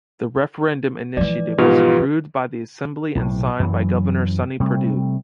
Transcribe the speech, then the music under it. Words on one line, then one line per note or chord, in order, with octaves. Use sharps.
The referendum initiative was approved by the Assembly and signed by Governor Sonny Perdue.
E3 F3 D5
G#2 B2 F4 G4 B4
B1 A2 C3
F#2 E3 F#3
C3 G3 A3